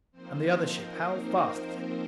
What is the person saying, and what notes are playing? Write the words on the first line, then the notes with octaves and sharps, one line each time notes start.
"And the other ship--how fast is it?"
F3 A#3 C4 D#4 C5
A#4
C4 C5
C4 C5